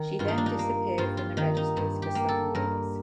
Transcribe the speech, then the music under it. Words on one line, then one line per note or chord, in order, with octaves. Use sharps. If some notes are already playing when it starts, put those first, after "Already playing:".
She then disappeared from the Registers for some years.
Already playing: D#3
G2 F4
D#4
D4
D#4
A#3
G2 F4
F4
D#3 D#4
D#4
G2
G4
A#3
A4
G2 A#4